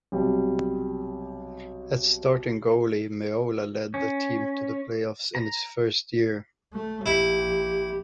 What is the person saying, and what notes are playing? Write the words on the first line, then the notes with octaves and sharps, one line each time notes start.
As starting goalie, Meola led the team to the playoffs in its first year.
B1 C3 G3
C#4
A#5
A3
A#1 E4 G4